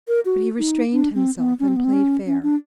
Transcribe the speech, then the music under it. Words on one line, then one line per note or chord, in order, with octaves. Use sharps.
But he restrained himself and played fair.
A#4
F#4
D#4
D4
C4
B3
C#4
C4
B3
C4
C#4
C#4
D4